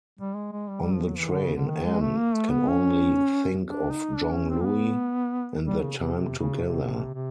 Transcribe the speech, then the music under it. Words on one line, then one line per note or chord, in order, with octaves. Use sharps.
On the train Anne can only think of Jean-Louis and their time together.
G3
G#3
G#3
G3
G3
F3
F#3
E3
D3
C#3
D3
D#3
G#3
A3
A#3
A3
B3
C#4
D4
D#4
D4
C#4
C4
A#3
B3
G3
C#3
C3
C3
C#3
B2
C3
C3